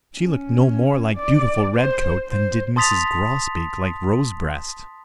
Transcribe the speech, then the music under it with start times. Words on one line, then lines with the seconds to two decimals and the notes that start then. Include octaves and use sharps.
She looked no more like beautiful Redcoat than did Mrs. Grosbeak like Rosebreast.
0.18 C#4
1.15 D5
1.76 C5
2.28 C5
2.76 A5 C6 D#6 A6 B6 F7